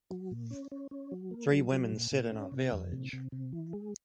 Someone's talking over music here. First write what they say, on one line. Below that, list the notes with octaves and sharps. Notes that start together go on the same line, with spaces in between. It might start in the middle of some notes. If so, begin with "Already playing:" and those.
Three women sit in a village.
F#3
A#2
C#4
C#4
C#4
F#3
A#3
F#3
F#3
A#2
A#2
C#4
C3
F2
C3
C3
C3
E3
G#3